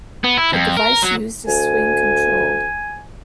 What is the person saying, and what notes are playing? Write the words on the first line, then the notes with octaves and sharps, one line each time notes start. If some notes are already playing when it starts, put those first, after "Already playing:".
The device used a swing-control.
B3
E4
F2
A#4
F#3
D2 G#5